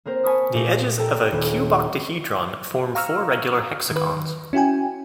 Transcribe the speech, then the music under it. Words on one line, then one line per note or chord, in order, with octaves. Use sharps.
The edges of a cuboctahedron form four regular hexagons.
A#3 C4 A#4 C5
G#5 A5 B5 C#6 D#6 F6
A#2 A3 G4 A#6
A4 G5 A#5
D#1
F5 A#5 C#6 E6 F6
D#3 B4
C#4 E4 F#4 G5 G#5